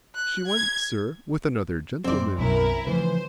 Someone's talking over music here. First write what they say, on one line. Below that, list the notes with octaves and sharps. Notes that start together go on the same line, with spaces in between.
"She went, sir, with Another Gentleman."
F#6
G#6
F#2 C4 D5
B1 F#2 B2 C#4 E4 A#4
C#3 E3 F3 A3 B4 C5